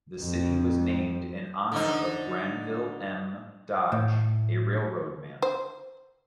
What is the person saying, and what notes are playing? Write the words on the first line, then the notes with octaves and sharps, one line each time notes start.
The city was named in honor of Granville M. Dodge, a railroad man.
F2
D3 D#4
A2
C5